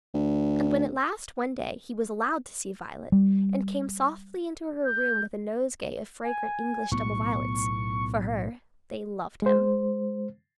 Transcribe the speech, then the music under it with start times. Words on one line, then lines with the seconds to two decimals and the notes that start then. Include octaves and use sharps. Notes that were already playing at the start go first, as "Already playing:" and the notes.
And when at last, one day, he was allowed to see Violet, and came softly into her room with a nosegay of fragrant English double violets, for her, they loved him.
0.15 D2
3.12 G3
4.85 G6
6.24 G#5
6.92 B1 A2 B3 C#6
9.42 G#3 C5